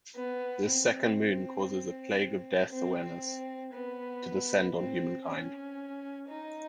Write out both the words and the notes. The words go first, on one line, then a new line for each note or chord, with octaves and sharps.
This second moon causes a "plague of death awareness" to descend on humankind.
B3
C4
C4
B3
C4
C#4
D#4